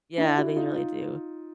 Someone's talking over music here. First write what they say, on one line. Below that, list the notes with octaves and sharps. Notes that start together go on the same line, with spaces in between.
Yeah, they really do.
D4 E4
E4 F#4
D#4 F4
D#4 F4